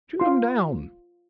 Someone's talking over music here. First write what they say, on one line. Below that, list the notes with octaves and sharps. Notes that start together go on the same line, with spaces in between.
"Shoot 'em down!"
F4 C6